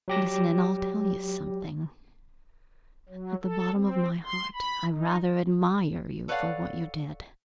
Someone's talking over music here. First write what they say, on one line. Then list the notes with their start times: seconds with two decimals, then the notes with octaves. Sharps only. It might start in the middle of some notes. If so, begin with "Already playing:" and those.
Listen and I'll tell you something--at the bottom of my heart I rather admire you for what you did.
0.08 F#3 G4 A#6
3.09 F#3
3.43 A4
3.74 C4
4.24 C6
4.54 B5
4.91 D#4
6.28 A4 B4 C#5 D5 F5 F#5